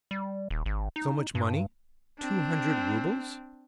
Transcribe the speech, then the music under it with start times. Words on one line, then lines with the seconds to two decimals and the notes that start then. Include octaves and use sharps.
So much money--two hundred roubles!
0.11 G3
0.51 D#1
0.66 G#1
0.96 D#4
1.35 G2
2.19 C4 D4